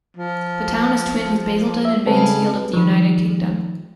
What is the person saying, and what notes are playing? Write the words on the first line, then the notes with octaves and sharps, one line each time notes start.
The town is twinned with Basildon and Mansfield of the United Kingdom.
F3
E5
C#3 G#3 C4 A4 B4 A5
D#3 F3